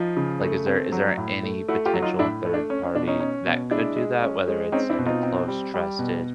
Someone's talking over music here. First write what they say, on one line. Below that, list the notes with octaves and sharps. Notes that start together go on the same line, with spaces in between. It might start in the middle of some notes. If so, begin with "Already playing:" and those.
like, is there is there any potential third party that could do that, whether it's, like, a close trusted
Already playing: F3 D#4 F4
C#3
A3
C4
F#3
A2
A3
A3 E4 F#4
F4 G4
F#3
D#4 F4
A2 D4 E4
A3
D4
C#4
C#4
B2 D4
C#4 D#4
C#4
B2
G#3 D4 E4
G#3
C#4
G#3
C4 C#4 D#4
D4 E4
B2
D#4 F4
C4
G3
G3
B2